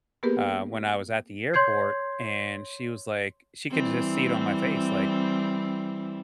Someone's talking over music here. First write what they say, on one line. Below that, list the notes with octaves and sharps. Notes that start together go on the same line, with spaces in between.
uh, when I was at the airport, and she was, like She could just see it on my face, like,
A#3 B3 G4 G#4 A#4 B4
C#5 C6 G6 G#6 C7
E3 G3 C4